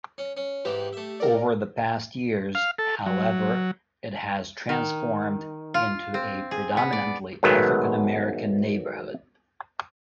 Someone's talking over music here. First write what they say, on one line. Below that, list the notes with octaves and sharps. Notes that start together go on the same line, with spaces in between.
Over the past years, however, it has transformed into a predominantly African American neighborhood.
C#4
C#4
G#2 E3 G4
A3 E5
A#4 D5
F5
A4
F#3
D#3
F4
C4
G#4
B3
D5
G#2 B2 D#3 F#3 A3 B3